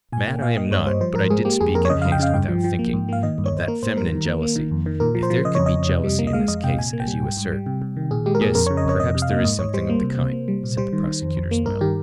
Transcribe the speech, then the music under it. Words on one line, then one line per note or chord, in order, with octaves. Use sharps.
"Mad I am not, but I did speak in haste, without thinking ... of that feminine jealousy ... if there could be jealousy in this case, as you assert ... yes, perhaps there is something of the kind," said the prosecutor, smiling.
A#2 G#5
A#3 G5
A#2 F5
A#3 D#5
G2 C#5
G3 C5
F3 C5
G#2 A#4
G#3 G#4
A#3 G4
F2 G#4
F2 A#4
C#5
C#3 D#5
F2 F5
G5
C#3 F5
G2 G5
F3
F3
A#3
G#2
A#3 F5
D#3 D#5
G2
C#5
G2 C5
A#3 A#4
G#2 C5
G3 A#4
D#3
A#3
A#3
D#3
F2
D#3
A#2 A#4
F3
C5
F3
C#3 D#5
F2 C#5
D#5
F2
C3
G3
A#3
D#5
G#3 F5
F2 D#5
C3 G5
A#2 G#5
A#3
G5
G3
G#2
G#2
G3
C3
C3
D#3
A#2 G#4
G#3 G4
A#4
A#2 G#4
F2 A#4
C#3 C#5
D#5
F2 C#5
C3 D#5
C3
F5
A#3
G#2 D#5
G#2 C#5
G3 C5
A#3
C3
C3
A#3
G3
A#2
G3 C5
D#3
D#3
F2
F2
A#3
G2 A#4
D#3 G4